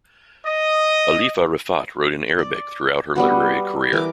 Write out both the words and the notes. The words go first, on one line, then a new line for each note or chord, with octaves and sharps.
Alifa Rifaat wrote in Arabic throughout her literary career.
D#5
D5
G3 B3 F#4
E3 A#4 D6